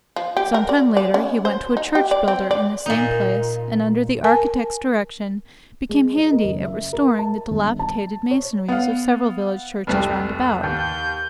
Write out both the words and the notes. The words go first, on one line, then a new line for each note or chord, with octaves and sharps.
Some time later he went to a church-builder in the same place, and under the architect's direction became handy at restoring the dilapidated masonries of several village churches round about.
F3
G4
A#4
D5
D5
C#4
C5
D#4
G4
D5
C4
D5
A#2 D#4
A#4 G#5 A5
G#3
D#5
A#4
F#1
E5
A#4
A5
G1
A5
C#5
B3 F5
F1 C2 G3
D#2 G6